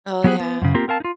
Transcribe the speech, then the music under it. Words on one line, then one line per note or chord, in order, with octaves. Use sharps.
Oh, yeah.
F#3 B3 G4 G#4 F#5
B3
F#2 C#3
A#3 C4 F4 G4 A#4
C4 A#4 F5 A5
D#4 F4